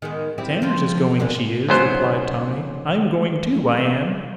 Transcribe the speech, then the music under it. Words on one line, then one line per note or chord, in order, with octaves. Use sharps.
Sanders is going, she is,' replied Tommy; 'I'm going too, I am.'
D#3 G#3 B3
C4 E4 G4
F3 C4
E2 D3 A#3
C#2 G#2 F#3 B3 C5